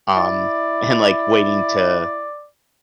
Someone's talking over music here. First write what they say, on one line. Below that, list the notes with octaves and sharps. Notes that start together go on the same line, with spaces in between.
um, and like, waiting to
E4 D5